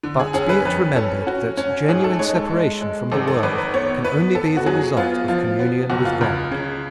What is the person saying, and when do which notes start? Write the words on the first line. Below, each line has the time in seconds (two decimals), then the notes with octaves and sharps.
But be it remembered that genuine separation from the world can only be the result of communion with God.
0.03 D3
0.19 G#4
0.34 C#4 G#4
0.49 B4
0.65 F2 B4
0.95 C#4 A4
1.27 C#4 F#4
1.57 C#4
1.88 G#2 G#4
2.04 A4
2.19 G#3 C#5
2.35 A4
2.50 G#3
2.81 G#3
3.12 G#1 A4
3.28 A4
3.43 G#1 B4
3.58 B4
3.74 B3 C#5
4.05 B3 B4
4.35 B3 A4
4.57 F#4
4.66 F#3 G#4
4.97 B3 F4
5.28 F3 F4
5.59 B3
5.90 F#1 F#4
6.05 F4
6.21 C#2
6.51 C#3